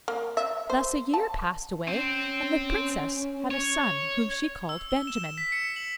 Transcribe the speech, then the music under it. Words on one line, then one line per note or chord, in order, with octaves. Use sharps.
Thus a year passed away, and the Princess had a son, whom she called Benjamin.
A#3
E5
C5
A5
C4 C#4
C#5
E6
G7
E7
B6
C#7
F#7